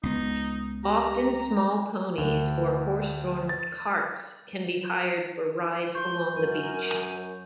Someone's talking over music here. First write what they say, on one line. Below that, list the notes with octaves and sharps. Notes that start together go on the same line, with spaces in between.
Often small ponies or horse-drawn carts can be hired for rides along the beach.
C#2 B3 D#4
G4 A#5
D2
A6
C6 C#6 G6
F#2 A#4 G#5